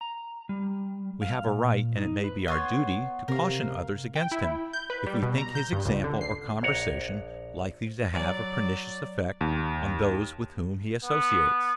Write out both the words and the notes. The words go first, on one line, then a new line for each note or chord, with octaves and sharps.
We have a right, and it may be our duty, to caution others against him, if we think his example or conversation likely to have a pernicious effect on those with whom he associates.
A#5
G3
F5
A#2
D#4
B4
B3 C#5 C6
C3 A#4 F5
G5
E4
G6
B4
G3
B2
A#5
G6
G2
C#2
D3
C7
A#1 C#5 F#5 A#5
F#3 D5
D#2
B3